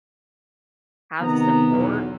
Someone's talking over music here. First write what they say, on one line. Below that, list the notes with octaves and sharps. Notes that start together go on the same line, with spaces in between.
have support,
C3 D#3 B3 A#5
B1 E2